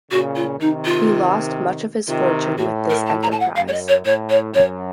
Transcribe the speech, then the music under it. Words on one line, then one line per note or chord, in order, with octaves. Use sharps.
He lost much of his fortune with this enterprise.
A#2 C#3 F#4
F4
C3 D#3 D#4
F4
C3 D#3 F4
A2 F#4
A#4
A5
A#5
A5
F#5
F#2 F5
C#5
D#5
C#5
A2 C#5
C#5
F#2 C#5